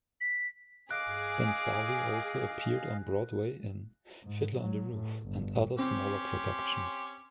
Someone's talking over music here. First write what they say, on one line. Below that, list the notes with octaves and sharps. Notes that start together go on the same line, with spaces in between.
Benzali also appeared on Broadway in "Fiddler on the Roof" and other smaller productions.
B6
G#4 D#5 F5 D6 F#6
G#2
F#3
A2
G1
C4 C#4 G4 C6